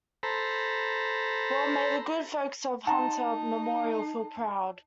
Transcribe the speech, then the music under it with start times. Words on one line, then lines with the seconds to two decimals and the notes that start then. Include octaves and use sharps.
Well may the good folks of Hunter Memorial feel proud.
0.23 A4 C5 A#5 B5
2.87 D#4 F#5 A5 A#5 C6